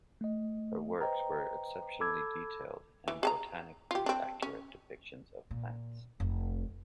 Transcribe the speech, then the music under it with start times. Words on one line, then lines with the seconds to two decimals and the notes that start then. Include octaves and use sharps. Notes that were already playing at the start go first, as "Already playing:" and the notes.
Her works were exceptionally detailed and botanically accurate depictions of plants.
0.21 A3 D#5
1.01 B4 C5 D#5 G5 A#5
2.00 A4 A5 B5 D6 E6 G#6
3.08 E3
3.23 G#4 A5 A#5
3.91 F4 G4
4.06 C4 D4
4.42 C#4
5.51 A#2
6.20 F1